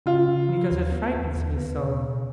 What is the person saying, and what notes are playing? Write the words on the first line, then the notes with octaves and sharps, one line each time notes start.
'Because it frightens me so!'
C#3 F4
C#3
F3
D#2
B3
D#2
D#2
B3
B2
B2